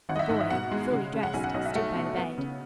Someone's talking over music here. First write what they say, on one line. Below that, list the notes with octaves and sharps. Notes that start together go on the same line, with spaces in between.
The boy, fully dressed, stood by the bed.
G#1 F#5
D#5
E5
G#2 F#5
E5
B2 F#5
G#3
C#3
C#3
F#5
B1 G#5
F#5
B1 D#5
E5
A3 F#5
B2
B3
C#3